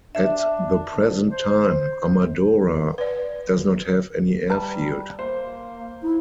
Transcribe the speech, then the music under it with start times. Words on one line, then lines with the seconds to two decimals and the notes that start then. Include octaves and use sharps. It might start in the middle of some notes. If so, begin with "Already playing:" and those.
At the present time Amadora does not have any airfield.
0.15 D4 E5
1.31 C5
2.98 B4 D5
4.50 G3 B4 A5 A#5
5.19 A#3 C5
6.02 D#4 E4